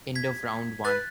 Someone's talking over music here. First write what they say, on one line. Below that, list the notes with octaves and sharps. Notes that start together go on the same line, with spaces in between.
End of round one.
G#6 B6
B4 F#6 A6